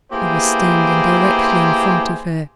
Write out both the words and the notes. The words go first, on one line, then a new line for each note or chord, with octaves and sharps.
I was standing directly in front of her.
A#3 B3 E4 G4 G#4 C5